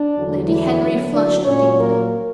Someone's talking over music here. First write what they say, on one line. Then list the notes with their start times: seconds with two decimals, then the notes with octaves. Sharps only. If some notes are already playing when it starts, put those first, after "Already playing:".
Lady Henry flushed deeply.
Already playing: D4
0.15 E2 D3 F#3
0.47 E3 E4
0.80 F#2 D3 F#3
1.12 D4 D5
1.45 A#2 F#3 C#4 C#5
1.78 A#3 A#4